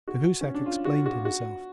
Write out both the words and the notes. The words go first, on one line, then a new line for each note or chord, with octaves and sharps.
Cahusac explained himself.
F#4
C#4
D4
F4
F#4
F#4
F#4